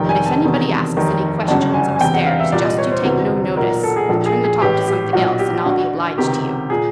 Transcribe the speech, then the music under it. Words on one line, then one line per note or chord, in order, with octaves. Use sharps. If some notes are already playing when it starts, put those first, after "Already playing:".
But if anybody asks any questions upstairs, just you take no notice, and turn the talk to something else, and I'll be obliged to you.
Already playing: F1 F2 C3 D#3 G5
G#5
A5
E1 E2 C3 D#3
F1 D#2 D#3
G1 F#2 C#3 A5
G#5
G#5
E1 E2 C3 G5
F#5
F5
E5
C2 A#2 D5
D#5
C#5
C5
E1 D2 C3 E3
B1 A#2 A#4
A#4
A4
G#4
A#1 A#2 A4
G#4
G#4
A1 A2 E3 G4
G4
B1 A#2 F#4
G4
D2 D3 F#4
C#2 C3 D#3 G4
A#2 G#4